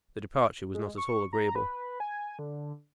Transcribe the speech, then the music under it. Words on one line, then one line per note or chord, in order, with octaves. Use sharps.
The departure was not at all agreeable.
G#3
C#6
A#5
B4
G#5
D3